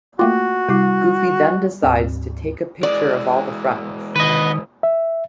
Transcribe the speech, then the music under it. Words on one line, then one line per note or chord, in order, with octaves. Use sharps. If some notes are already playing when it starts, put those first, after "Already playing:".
Goofy then decides to take a picture of all the friends.
A3 A#3 F4 F#4 G5 D6
C3 G3 E4 F#5 D6 C7
D2 G#2 C4
E3 G#3 D5
D#3 B4 D#5
E5